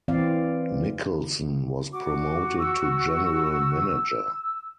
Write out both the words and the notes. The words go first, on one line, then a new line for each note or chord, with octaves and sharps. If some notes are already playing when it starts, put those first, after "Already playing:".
Nicholson was promoted to general manager.
E3 C4 D5 F5
F#4 D6
E6